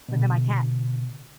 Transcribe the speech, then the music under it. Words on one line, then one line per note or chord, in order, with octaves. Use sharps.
but then my cat
B2 D3